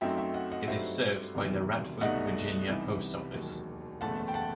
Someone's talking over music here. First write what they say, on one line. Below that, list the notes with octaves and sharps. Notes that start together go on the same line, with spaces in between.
It is served by the Radford, Virginia post office.
F#2 F#3 A3 C4 D#4 E5 G5
E5 G5
D#5 F#5
D#5 F#5
G2 F#3 A3 C4 D#4 C5 E5
E1 E2 C3 D#3 F#3
C2 B2 A3 D#4 D#5 F#5
C2 C3 E3 B3 D#4
E1 D#2 D#3 F#3
F#1 E2 B2 A3 F#5 A5
G5
F#5 A5